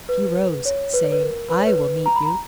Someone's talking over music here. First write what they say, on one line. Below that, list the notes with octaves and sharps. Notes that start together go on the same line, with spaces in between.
He arose, saying, 'I will meet you.'
B4
C#5
B4
C#5
B4
A#4
B4
C#5
B4
A#5
B5
A#5